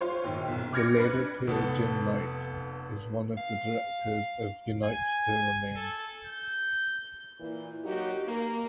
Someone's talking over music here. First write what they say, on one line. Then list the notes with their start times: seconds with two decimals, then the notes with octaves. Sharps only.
The Labour peer Jim Knight is one of the directors of Unite to Remain.
0.01 F4 C5 C#5
0.24 A#1 D#2
0.48 B1
0.73 D6 F6 G#6 A#6 C#7
0.96 D4 B4 B5
1.47 F1 B3 A4
3.37 F5
4.85 G#5
5.76 A4
6.24 G6
7.40 A#2 E3
7.84 F#3 A#3 D#4 F#4 G4
8.28 A#3